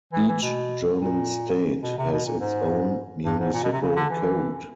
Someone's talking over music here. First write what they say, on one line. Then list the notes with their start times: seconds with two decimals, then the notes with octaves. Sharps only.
Each German state has its own municipal code.
0.13 E3
0.28 E3
0.42 B2
0.98 A#2
1.83 B2
1.98 C3
2.12 B2
2.25 A#2
2.40 G#2
3.25 G2
3.39 G#2
3.53 A#2
3.63 B2
3.72 C3
3.81 C#3
3.96 D3
4.10 E3